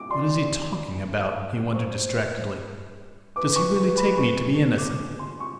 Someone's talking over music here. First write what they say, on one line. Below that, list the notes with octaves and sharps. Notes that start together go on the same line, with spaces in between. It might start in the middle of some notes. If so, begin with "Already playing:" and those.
"What is he talking about?" he wondered distractedly, "does he really take me to be innocent?"
Already playing: D6
D5 C6
C5 C#6
B4 D6
C#6
C#6
B5
C#6
C#6
D6
C6
C#6